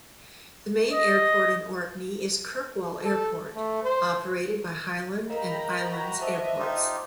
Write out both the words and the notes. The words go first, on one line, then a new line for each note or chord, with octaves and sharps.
The main airport in Orkney is Kirkwall Airport, operated by Highland and Islands Airports.
D#5
A4
A3
C5
A#4 D#5 F5 G5 A#5 B5
F#4
C5 D#5 E5 A5 D6
D#4 F4 G4